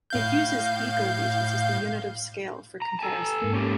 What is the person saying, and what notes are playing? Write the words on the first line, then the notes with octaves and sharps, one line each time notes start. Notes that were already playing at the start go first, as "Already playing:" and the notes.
It uses ecoregions as the unit of scale for comparison.
A2 F5 G6
A#5
A4 G#5 A5
G#2 A#3
C#4 G4 A4